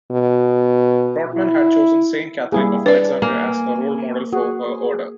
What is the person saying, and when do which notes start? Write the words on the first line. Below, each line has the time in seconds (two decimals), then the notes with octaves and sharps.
Protmann had chosen Saint Catherine of Alexandria as her role model for her order.
0.11 B2
1.34 E4
2.52 G3 A#3 E4 G#4
2.86 D4 B4 D5
3.22 A#3 G#5
4.33 F#4 G#4